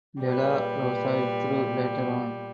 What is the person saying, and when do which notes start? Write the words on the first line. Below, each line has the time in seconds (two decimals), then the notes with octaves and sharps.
Dela Rosa withdrew later on.
0.21 A#2 G3 B4
0.85 B4